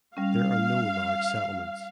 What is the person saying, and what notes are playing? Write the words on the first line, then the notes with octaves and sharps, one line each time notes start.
There are no large settlements.
G3 C#4 F5